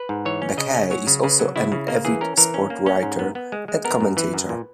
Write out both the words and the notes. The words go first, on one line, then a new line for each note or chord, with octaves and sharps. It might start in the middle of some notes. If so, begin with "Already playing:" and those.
Bakay is also an avid sport writer and commentator.
Already playing: B4
G#2
E3 C#5
C#4
C#3 D#5
C#4
F#3 C#5
C#3
C#3 B4
F#3
C#3 E4
C#3
A#3
E3 G#4
C#4 A#4
E3 A#4
C#4
A#3
C#4
G#2
B3
B3
G#3
G#3
B3 A#4
F#2
E3 B4
F#2
A#2